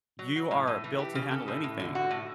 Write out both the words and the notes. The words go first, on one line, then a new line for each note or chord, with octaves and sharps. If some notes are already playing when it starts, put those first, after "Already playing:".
You are built to handle anything.
F#3
F#3
A2
A2
E3
G4
C#3
A4
A2
A2
D3
F#4
A2